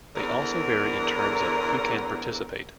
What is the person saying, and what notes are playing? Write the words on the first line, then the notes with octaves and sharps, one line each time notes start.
They also vary in terms of "who can participate".
E2 D3 C4 G#4 A#4